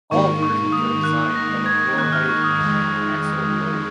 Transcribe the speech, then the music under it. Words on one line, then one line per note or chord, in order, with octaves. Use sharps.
All versions are designed to have a floor height and a axle load.
G#2 D#3 A#3 C#6
C#6
D#6
F#6
A#6
G#6
F#6
F6
C#6
D#6
F2 D#3 G#3 D#6